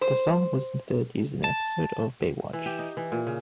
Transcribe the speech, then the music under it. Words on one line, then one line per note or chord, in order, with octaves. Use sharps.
The song was instead used in an episode of "Baywatch".
C5
A5
E3
G4
D#4
E3
A#2
C#3